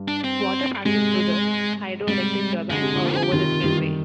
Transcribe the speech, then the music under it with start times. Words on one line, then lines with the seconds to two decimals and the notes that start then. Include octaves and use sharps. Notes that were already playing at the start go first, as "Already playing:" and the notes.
Water passes through the hydroelectric turbines or over the spillway.
Already playing: G2
0.08 D4
0.24 C4
0.85 G#2 C3 G#3
2.08 G#2 C3 G3
2.70 D3 G#3
2.82 C3
2.93 A#2 D3
3.15 G#4
3.23 G4
3.32 C3 D#3 F4
3.64 D#3 G3